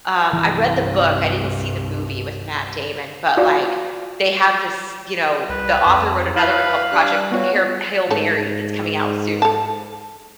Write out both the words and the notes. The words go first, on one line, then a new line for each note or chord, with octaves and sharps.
um, I read the book, I didn't see the movie with Matt Damon, but, like, they have this you know, the author wrote another one called Project Hair Hail Mary that's coming out soon.
C2 G2 E3
F4 F#4 D5
C2 B4
F2
E4 B4 F5 B5
G3 D4 F#6
B3 F4 F#4 C#5
G#2 A3 A4
A4 A5